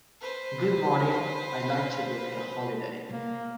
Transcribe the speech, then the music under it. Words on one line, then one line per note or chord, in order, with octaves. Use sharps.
Good morning, I'd like to book a holiday.
B4 C5
A#3